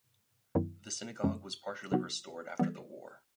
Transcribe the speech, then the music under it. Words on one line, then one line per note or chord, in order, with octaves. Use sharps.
The synagogue was partially restored after the war.
F#2 D#3 F#3 B3 E4
F#2 C#3 F3 G#3 C#4
C#3 F#3 B3 D#4 F#4
E3 G3 B3